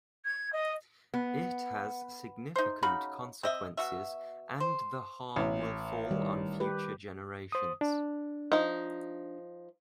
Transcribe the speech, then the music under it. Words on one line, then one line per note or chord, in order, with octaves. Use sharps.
It has significant consequences and the harm will fall on future generations.
G#6
D#5
B3
D#4 C5
C#3 D#4 F#4 B5
C4 D#5 E5
B2 F#4 E5
C5
A1
D#3 G3
G4 B4
C5 D#6
D4
F3 D#4